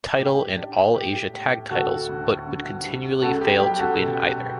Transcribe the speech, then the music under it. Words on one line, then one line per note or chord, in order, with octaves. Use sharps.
Title and All Asia Tag Titles but would continually fail to win either.
A2 G4
D4
A2 G4
A2
D2 F#4 A4
D2
D3
G3
C#2 F#4 A4
G4
F#3 G4
F#4 A4
B2
B2